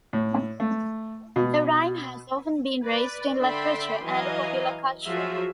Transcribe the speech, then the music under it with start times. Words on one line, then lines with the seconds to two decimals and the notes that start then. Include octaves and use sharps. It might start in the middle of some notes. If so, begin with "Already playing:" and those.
The rhyme has often been raised in literature and popular culture.
0.13 A2
0.60 A3
1.36 B2
2.84 B4 D5
3.41 D3 D5 E5 G5 B5 C6
4.04 E3 F#3 D#5 F5 G#5 A#5
5.04 F3 F#3 F4 F#4 G#4 E5